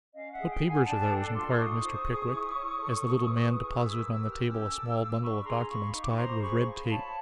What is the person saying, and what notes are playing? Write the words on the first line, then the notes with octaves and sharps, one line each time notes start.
'What papers are those?' inquired Mr. Pickwick, as the little man deposited on the table a small bundle of documents tied with red tape.
C#4 D#5 F5
E5 F#5
G#4
F5 G5
E4
F#5 G#5
D4 G5 A5
A4
F4 C6 D6
D#4 C#6 D#6
C5
G#4
E4
C#5
A4
E4
B4
G#4
F6
E4 D6 E6
D#6
D6 E6
A#4
D6 E6
G4
D#6 F6
F6
C#4 D6 E6
A4
F4
D4 B5 C#6
G#4 A#5 C6
F4 B5 C#6
D#4 C#6
D6
B5 C#6
C5 A#5 C6
G#4 B5 C#6
F4
C#5 A5 B5